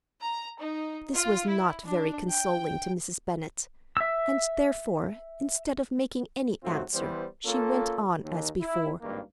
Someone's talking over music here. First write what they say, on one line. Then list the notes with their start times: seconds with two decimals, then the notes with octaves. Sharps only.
This was not very consoling to Mrs. Bennet, and therefore, instead of making any answer, she went on as before.
0.21 A#5
0.59 D#4
1.14 F4
1.48 E4
1.85 D4
2.30 G5
3.97 E5 E6
6.64 G#2 F#3 A3 C4 F4 F#4
6.93 E3 G3 B3 C5
7.45 A#3 C#4 F4 A4
8.23 D#2
8.60 E4
9.01 G#1 C#2 G2 D#3 A#3